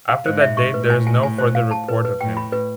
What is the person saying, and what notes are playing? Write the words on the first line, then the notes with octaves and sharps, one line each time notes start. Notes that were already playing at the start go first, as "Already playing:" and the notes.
After that date, there is no further report of him.
F5
G#2 C5
E5
C#6
A2 B4
G#5
G#5
G#5
C5
F5
A5
B4
B4
A2 G5
B5
B4